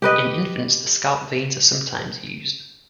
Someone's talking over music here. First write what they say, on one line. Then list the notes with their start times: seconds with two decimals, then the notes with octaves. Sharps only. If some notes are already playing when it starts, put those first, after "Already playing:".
In infants the scalp veins are sometimes used.
0.02 G4 B4 D#5